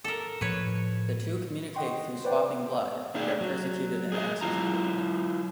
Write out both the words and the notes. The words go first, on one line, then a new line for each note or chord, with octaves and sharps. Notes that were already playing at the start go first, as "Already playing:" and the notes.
The two communicate through swapping blood, and are persecuted and executed.
A4 A#4
A2 F3 B4 C#5
D#5 F#5 G5 C6 C#6
B4 C5 D5 F#5 G5
D4 D#4 G4 G#4 D5
F#3
G#4 A#4 C5 D#5
F#3 E4 F4 A#5